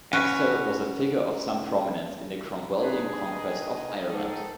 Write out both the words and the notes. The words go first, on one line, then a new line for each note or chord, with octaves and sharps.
Axtell was a figure of some prominence in the Cromwellian conquest of Ireland.
C#4 F#4 B4 C#5
D4 D#4 G#4 B4
D#3 D#5
G#2 A4